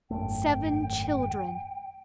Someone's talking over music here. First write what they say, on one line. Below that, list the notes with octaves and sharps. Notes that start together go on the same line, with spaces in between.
Seven children!
G#1 F#2 A3 G5